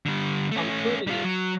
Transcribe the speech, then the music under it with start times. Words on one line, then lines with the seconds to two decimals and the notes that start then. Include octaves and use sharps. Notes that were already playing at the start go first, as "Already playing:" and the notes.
I'm cleaning it.
0.06 D3 G3
0.52 A3 C#4
1.07 G3 F4
1.24 F#3